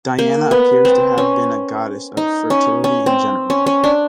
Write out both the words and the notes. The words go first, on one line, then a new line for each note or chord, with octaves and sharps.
Diana appears to have been a goddess of fertility in general.
A#3
B3
C4
C#4
D#4
C#4
C#4
C4
C#4
C#4
D4